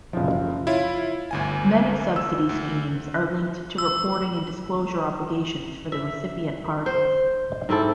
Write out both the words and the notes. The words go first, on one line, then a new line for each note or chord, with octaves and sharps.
Many subsidy schemes are linked to reporting and disclosure obligations for the recipient parties.
F#1 F3
E4 F4 C#5
G1 D2 G#5
E6
D2
E6
E5
C5
G#2 C4 E4 A4